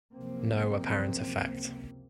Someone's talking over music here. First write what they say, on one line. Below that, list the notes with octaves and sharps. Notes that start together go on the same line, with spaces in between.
No apparent effect.
C#2 F#2 C3 F3 A#3 C4